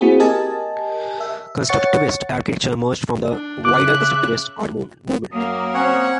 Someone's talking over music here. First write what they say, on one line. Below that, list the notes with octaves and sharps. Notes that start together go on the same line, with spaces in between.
Constructivist architecture emerged from the wider constructivist art movement.
A#3 C4 E4 F#4 G#4
G4 A#4 D#5 G#5 A5
E5
C#5 F#5 C#6 A6 C#7
D4
C#3 E5 D6 F#6
F#2 F#3 A#3 D#6
C4 C#4 C#5 F#5